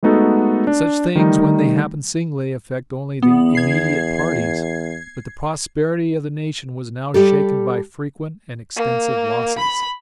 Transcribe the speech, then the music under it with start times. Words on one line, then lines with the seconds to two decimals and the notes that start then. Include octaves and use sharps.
Such things, when they happen singly, affect only the immediate parties; but the prosperity of the nation was now shaken by frequent and extensive losses.
0.03 G#3 A3 B3 D#4 F#4 A4
0.67 D4
1.15 D#3 G3 A3 D#4
3.22 E2 B3
3.55 G#6 C7
7.14 G3 G4 A4
8.76 A#3
9.58 B5